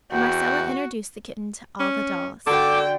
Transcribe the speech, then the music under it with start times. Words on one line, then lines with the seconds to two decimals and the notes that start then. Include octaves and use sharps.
Marcella introduced the kitten to all the dolls.
0.12 E2 F#4 G5
1.80 C#4
2.47 D3 F#4 A4 G5 D6